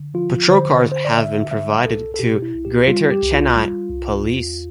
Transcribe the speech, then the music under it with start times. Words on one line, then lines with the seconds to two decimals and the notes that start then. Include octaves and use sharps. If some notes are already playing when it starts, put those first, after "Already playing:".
Patrol cars have been provided to Greater Chennai Police.
Already playing: D3
0.14 F3 F4
0.48 D3 C5
0.84 D3
0.92 C5
1.05 D5
1.17 D3 E5
1.51 G3 E5
1.85 C2 A4
2.14 A4
2.19 B2 G4
2.42 E4
2.54 C2
2.65 G4
2.88 G3 F4
3.11 G4
3.23 C2
3.34 F4
3.56 G3
3.90 C2
4.25 E2